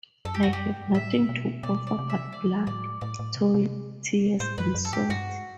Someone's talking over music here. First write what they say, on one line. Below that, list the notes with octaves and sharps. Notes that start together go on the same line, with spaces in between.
I have nothing to offer but blood, toil, tears and sweat.
F#2 A4
G4
F#4
F#2
G4
G2
B2
A2 E5
B2
B2 D5
D5
C3
E5
D5
A2 D5
A2 D5
A2
C3
C3
A2 C5
F#2 B4
F#2
A4
A2 G4
G2 F#4